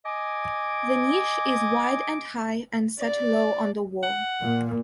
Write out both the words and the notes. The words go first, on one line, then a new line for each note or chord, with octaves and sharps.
The niche is wide and high and set low on the wall.
D#5 G#5 D6
D5
F#5
A#2